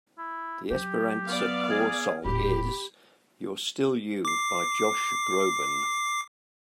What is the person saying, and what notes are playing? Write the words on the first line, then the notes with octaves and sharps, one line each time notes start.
The Esperanza Corps Song is "You're Still You" by Josh Groban.
E4
F#3 G4
B3 D5 F5
G#4
D#1 A2 G4 B5
D6 C7